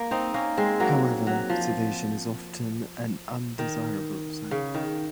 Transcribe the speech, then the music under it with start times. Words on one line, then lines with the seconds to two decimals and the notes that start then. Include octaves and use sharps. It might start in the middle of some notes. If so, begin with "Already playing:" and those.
However, sedation is often an undesirable side effect.
Already playing: A#3
0.11 C4 D#4
0.34 A#3 C#4
0.57 G#3 C4
0.80 F#3 A#3
1.27 F#3
1.50 F3
3.59 D#3
4.51 C#3
4.75 D#3